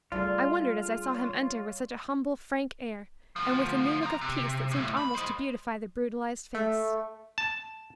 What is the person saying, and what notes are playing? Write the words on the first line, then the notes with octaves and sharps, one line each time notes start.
I wondered as I saw him enter with such a humble, frank air, and with a new look of peace that seemed almost to beautify the brutalized face.
G3 A3 D4 F4 G#4 A4
C#5
D2 F3
C4 A#5
C3
D#2 A2
B5
C5 D#5
A3
A5